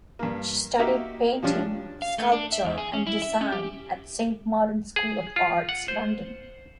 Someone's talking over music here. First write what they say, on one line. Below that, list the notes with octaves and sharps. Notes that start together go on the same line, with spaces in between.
She studied painting, sculpture and design at Saint Martin School of Arts, London.
G2 A#3
A#3 D#4 F#4 G4 E5
F3 G3 C#4 D4
F5
A3
D4
E5
E2
G#4
C#4
E4
E5
C#4
G4
G#4
F4
F#5
C5